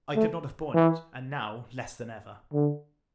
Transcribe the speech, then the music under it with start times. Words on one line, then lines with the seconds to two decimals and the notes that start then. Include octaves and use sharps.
I could not have borne it; and, now, less than ever.
0.15 A3
0.75 E3
2.53 D3